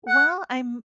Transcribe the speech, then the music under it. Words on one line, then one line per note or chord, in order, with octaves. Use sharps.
Well, I'm
F#5